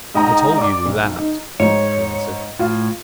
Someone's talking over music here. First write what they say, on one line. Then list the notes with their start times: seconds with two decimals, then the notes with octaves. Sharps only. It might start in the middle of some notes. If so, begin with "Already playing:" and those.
'I told you we laughed,' he answered.
0.15 G#2 D#5 G5 A#5 D#6
0.58 D5 D6
0.85 B1
1.16 D#4
1.60 G#2 C#5
2.59 A2 F4